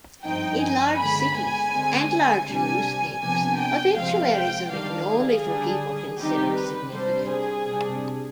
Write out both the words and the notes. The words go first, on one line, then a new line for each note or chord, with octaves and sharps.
In large cities and larger newspapers, obituaries are written only for people considered significant.
G2 F3 C4 D#4 G5
G#5
D3 G#3 B3 B5
G#5
D3 G#3 C4
G#5
C3 G3 D4 G#5
C3 F3 B3 D4 G#5
G5
C3 F3 G#3 C4 F5
G5
D#3 G3 D4 F5
G#4
D3 G3 D4
D#3 G3 C4 D#4 G4
B4
C3 G3 D4 C5
G#4
C3 G3 D4